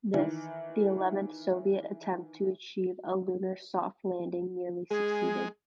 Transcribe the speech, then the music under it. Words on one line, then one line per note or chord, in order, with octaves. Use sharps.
This, the eleventh Soviet attempt to achieve a lunar soft landing, nearly succeeded.
D#3 E3
G#3 G#4